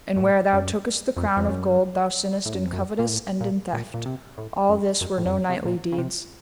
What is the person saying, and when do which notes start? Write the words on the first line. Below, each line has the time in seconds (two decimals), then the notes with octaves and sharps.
And where thou tookest the crown of gold thou sinnest in covetise and in theft: all this were no knightly deeds.
0.16 F#2
0.21 A2
0.53 F#2
1.17 F2
1.37 F2
1.49 F#2
2.46 A2
2.55 F#2
2.64 F2
2.73 F#2
2.99 A#2
3.09 A2
3.41 A#2
3.73 A#2
3.94 A#2
4.05 C3
4.38 A2
4.69 F#2
5.01 F#2
5.18 A2
5.25 F2
5.34 F#2
5.49 C3
5.65 A#2
5.92 C#3
5.98 C3